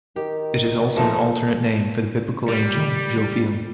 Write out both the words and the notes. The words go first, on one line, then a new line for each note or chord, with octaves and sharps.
It is also an alternate name for the biblical angel Jophiel.
D#3 G4
F3 A3 D#4
G3